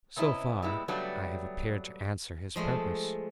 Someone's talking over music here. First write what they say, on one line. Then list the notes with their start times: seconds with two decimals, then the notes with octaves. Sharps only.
"So far I have appeared to answer his purpose."
0.16 C3 B3 C#4 E4 D#5
0.62 A#2 G3 G#3 B3 E4
0.88 C#3 F#3 G3 A3 B3 D4
2.56 F3 G#3 A3